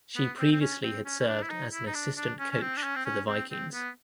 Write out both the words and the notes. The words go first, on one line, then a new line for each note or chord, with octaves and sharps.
She previously had served as an assistant coach for the Vikings.
B3
C4
C4
C#4
C4
C#4
C#4
D4
E4
D#4
E4
D#4
D4
D4
C#4
C#4
C4
D4
C#4
C4
C#4
C4
C4
B3